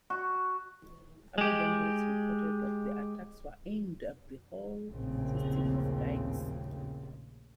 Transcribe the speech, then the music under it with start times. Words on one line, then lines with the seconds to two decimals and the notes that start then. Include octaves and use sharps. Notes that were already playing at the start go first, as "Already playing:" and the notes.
Other journalists reported that the attacks were "aimed at the whole system of dikes".
0.10 F#4
1.38 G#3 G4
4.89 A#1 D#2 A2 C#3 C4